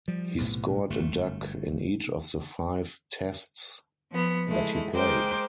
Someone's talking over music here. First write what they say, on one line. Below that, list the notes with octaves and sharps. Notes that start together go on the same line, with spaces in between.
He scored a duck in each of the five Tests that he played.
F3 G3
B1 A2 C3 B3
G1 A3
F3 B3
G#3 A3 E4
G#3 A#4 C5 G5 D6